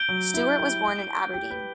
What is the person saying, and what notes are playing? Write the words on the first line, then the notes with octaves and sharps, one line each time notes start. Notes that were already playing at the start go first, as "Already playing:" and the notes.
Stewart was born in Aberdeen.
Already playing: G6 D7 G7
F#3
E4
G4
G4
B4